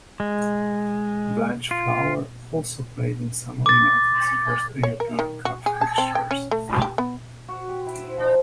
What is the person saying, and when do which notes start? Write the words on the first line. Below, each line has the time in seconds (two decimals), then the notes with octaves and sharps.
Blanchflower also played in some of United's first European Cup fixtures.
0.20 G#3
1.71 F4
3.66 D6 A6
4.83 C#5
5.00 A#4
5.19 D#3
5.45 F#4
5.66 G#4
5.81 A5
5.98 C4
6.15 G5
6.31 C#4
6.51 A3
6.82 G4
6.98 B3
7.48 F#4
7.69 G4
7.86 E4
8.03 C5
8.17 F3